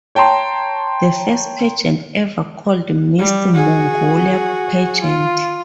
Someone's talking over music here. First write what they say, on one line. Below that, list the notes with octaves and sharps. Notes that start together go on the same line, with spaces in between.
The first pageant ever called Miss Mongolia pageant.
C#5 G5 A5 A#5 C6
G3
F#4 G#4
F4